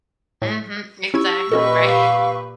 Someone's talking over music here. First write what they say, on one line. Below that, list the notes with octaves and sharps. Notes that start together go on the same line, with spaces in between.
Mhm, exactly, right?
A2
C#4 E4 G4 C#6 E6 G#6
A#2 C#4 F#4 G4 A4 B4 D#5
F5